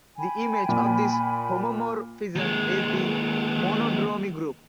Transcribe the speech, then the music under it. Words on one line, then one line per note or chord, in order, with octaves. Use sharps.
The image of this homomorphism is the monodromy group.
G5 G#5 B5
A#2
D#2 G#3